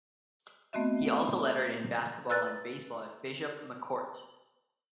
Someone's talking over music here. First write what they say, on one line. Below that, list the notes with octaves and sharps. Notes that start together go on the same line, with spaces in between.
He also lettered in basketball and baseball at Bishop McCort.
A3 B3 C4 F#4 D#5 E5
B4 E6 F#6 A6